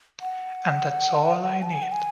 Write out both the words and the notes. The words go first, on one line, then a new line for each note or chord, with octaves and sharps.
And that's all I need.
F#5
A5
G#5
F#5
G#5